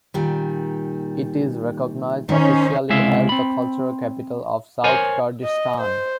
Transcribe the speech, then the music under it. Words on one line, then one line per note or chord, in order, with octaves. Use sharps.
It is recognized officially as the cultural capital of South Kurdistan.
A#2 D#3 G3
D#3 C#4 D#4 C5
C#2 C3 G#3 E4 E5 F5
C4 B5
A#4 C5 C#5 G#5
D#5
C5